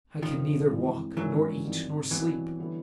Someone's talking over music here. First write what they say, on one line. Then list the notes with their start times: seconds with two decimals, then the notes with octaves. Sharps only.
I can neither walk, nor eat, nor sleep.
0.22 F#2 D3 D#3 F3 G3 A#3 D#4
0.69 G2 E3 G#3 C4 E4
1.17 G#2 D#3 E3 F#3 G3 A#3 C#4
1.64 G2 D#3 G3 C4
2.11 B2 E3 F#3 G3 C4 E4
2.59 D3 G3 B3 E4